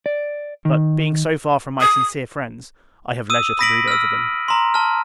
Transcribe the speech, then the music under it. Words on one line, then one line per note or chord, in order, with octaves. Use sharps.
But, being so far from my sincere friends, I have leisure to brood over them.
D5
D#3
D#6
D#6 E6 D#7
B5 D#6 A#6 B6 D7 F#7
E6 F6
A#5 C6
A5 F6